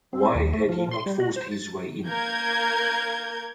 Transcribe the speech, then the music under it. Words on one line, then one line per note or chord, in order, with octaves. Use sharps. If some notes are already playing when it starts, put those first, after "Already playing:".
Why had he not forced his way in?
C4
D#2
A3
F3
C6
G3
F#4
C5
A6
A#3 A#4 G6 G#6